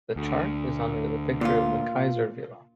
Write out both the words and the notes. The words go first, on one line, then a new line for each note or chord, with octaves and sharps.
The chart is under the picture of the Kaiservilla.
D2
A#2 F4